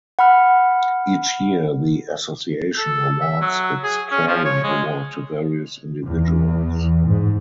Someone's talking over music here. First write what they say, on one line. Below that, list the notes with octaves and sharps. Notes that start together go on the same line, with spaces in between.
Each year the Association awards its Caring Award to various individuals.
F#5 B5 F6
A4
E5
F#3
G#4
C#4
F3
C#5
G#3
E2
G#2